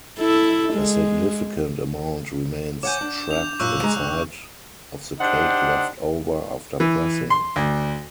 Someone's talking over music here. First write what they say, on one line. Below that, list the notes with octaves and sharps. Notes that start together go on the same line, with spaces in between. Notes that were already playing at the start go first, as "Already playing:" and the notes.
A significant amount remains trapped inside of the cake left over after pressing.
E4 A4
G#3
C#5 F#5 G#5 D6 G6
D4
F7
F#2 A#2 C#6 E6 F#6
G#3 G#4 A#5
G2 F#3
D4 D#4 G4 C5 F#5
E3
C6
D2